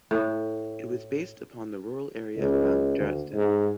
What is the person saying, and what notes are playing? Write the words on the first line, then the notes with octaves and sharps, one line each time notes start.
It was based upon the rural area around Dresden.
A2
C#2
D2
G#2